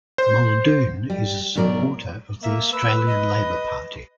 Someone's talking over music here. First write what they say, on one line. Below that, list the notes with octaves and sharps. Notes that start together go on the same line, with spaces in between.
Muldoon is a supporter of the Australian Labor Party.
C5
G3
G#2 B2 F#3 A#4 B4 D5
A#3 E5
B4 E6
D#5